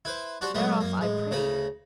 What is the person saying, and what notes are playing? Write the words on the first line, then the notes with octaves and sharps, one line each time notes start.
Thereof I pray you.
E4 B4 C5
D4 F#4 G4 C5 F#5
A#2 F#3 G#3 A3 B3
F#2 A#3
A1 G#3
D2 C#3 A#5 B5